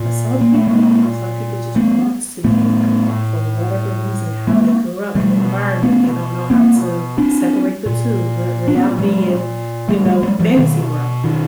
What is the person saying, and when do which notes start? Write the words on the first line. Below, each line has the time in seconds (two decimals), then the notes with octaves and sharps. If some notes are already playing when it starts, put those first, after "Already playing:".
But some people? Some people just wants to be angry, for whatever reason. How they grew up, the environment, they don't know how to separate the two, r reality and, you know, fantasy world.
Already playing: A#2
0.41 A#3
0.55 A3
0.67 G#3 A#3
1.76 A3 B3
2.44 A2 A3 B3
4.47 G#3 A#3
5.15 B2 G3 A3
5.83 A3 B3
6.50 A#3 C4
7.18 C4 D4
7.86 A#2
8.68 D4
8.76 B3 C#4
8.98 F#3 G#3
9.89 G3 A3
10.05 G3 A3
10.23 F#3 G#3
10.39 F3 G3
10.57 B2 D#3
11.24 D#3